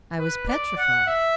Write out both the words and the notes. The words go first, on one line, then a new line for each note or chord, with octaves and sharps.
I was petrified.
B4
D5
F#5
E5